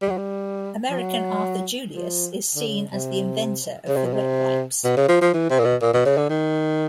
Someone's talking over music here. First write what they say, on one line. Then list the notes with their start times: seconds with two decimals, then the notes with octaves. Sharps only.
American Arthur Julius is seen as the inventor of the wet wipes.
0.02 G3
0.10 F#3
0.17 G3
0.90 F3
0.98 F#3
1.95 F3
2.55 D3
2.67 C#3
2.91 C3
3.87 C#3
3.96 C3
4.05 B2
4.13 C3
4.84 B2
4.97 C#3
5.08 F3
5.21 F3
5.34 E3
5.50 C3
5.59 A#2
5.65 B2
5.82 A#2
5.93 B2
6.06 C#3
6.17 D3
6.30 D#3